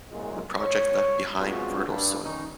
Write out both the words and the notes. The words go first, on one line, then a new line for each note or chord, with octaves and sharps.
The project left behind fertile soil.
C2 F#2 A#2 G#3
C#5
G#3 B3 C4 D4 F4 F#4
G2
D#3 C#4 D#4